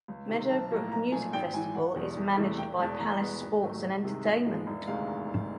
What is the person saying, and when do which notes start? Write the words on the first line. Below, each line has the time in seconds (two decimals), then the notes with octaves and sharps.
Meadow Brook Music Festival is managed by Palace Sports and Entertainment.
0.08 C#2
0.29 C3 D#3
0.49 B1 A5
0.71 A2 F3 A#3
0.91 B1 A#5
1.12 A#2 F3 A3 G#5
1.33 G#1 G5
1.54 G#2 E3 G#5
1.75 E1 F#5
1.96 E2 B2 G3
2.17 E2
2.37 C3 E3 A3
2.58 E1 G5
2.79 E2 B2 G#3 A5
3.00 E2 A#5
3.21 B2 G#3 B3
3.41 G#1
3.63 G#2 D#3 F#3 A3
3.83 C2
4.04 C3 D#3 G#3
4.25 G#1
4.45 G#2 F3 G#3 B3
4.67 E1
4.87 D2 C3 D#3 G#3 F5